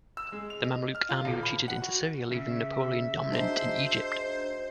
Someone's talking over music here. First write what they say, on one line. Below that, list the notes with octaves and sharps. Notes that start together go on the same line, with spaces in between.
The Mameluke army retreated into Syria, leaving Napoleon dominant in Egypt.
E6
G#3
F7
D#5
F6
F4
D#1
B5
F#5
F#4
C#3 E5
G#3 D4 D#4 F#4 C5